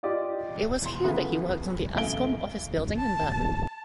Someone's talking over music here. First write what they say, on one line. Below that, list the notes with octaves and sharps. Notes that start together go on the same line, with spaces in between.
It was here that he worked on the Ascom office building in Bern.
F4 G4 D5 D#5 F5
E1 C6
D2 C#3 E3 F3 A3 B3
E1 F#2 A3 F5 D7 G7
A5